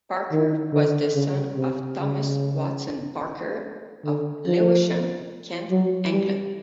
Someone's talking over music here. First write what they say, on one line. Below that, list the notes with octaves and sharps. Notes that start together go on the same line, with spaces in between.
Parker was the son of Thomas Watson Parker of Lewisham, Kent, England.
D#3
D3
C#3
C3
C#3
D3
F3
F#3
G3